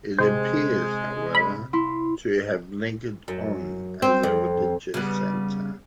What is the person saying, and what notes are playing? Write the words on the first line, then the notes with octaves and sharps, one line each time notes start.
It appears, however, to have lingered on as a religious centre.
C3 G#3 C5
B5
E4 C6
F#2
C4
F2
C#3 G3 B3